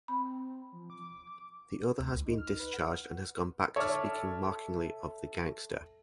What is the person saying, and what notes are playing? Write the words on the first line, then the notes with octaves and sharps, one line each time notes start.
The other has been discharged and has gone back to speaking mockingly of the gangster.
C4 B5
F3
D6
D2
C#2
D#4
F6
B4
F#5
A4 C#5 D5 E5 A5 F6